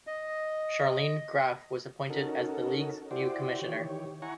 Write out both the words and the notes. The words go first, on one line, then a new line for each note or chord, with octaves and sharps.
Sharleen Graf was appointed as the league's new commissioner.
D#5
C#4 D#4 F#4 A4 A#4
E4 F#4 G4 C5 D5
D#3 E3 G4 C#5
E4 F#5 G#5 A#5 C#6